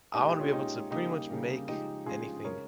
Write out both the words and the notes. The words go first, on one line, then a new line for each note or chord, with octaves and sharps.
I want to be able to pretty much make anything,
A#2 G#3 D#4 G4
D#4 G4
C#4 F4
A#2 G#3 D#4 G4
C#3 G3 A#3 D#4 G4
C#3 G3 A#3
C#3 F3 G#3 D#4 G4
C#3 F3 G#3 F4 G#4
C#3 G#3 A#4 C#5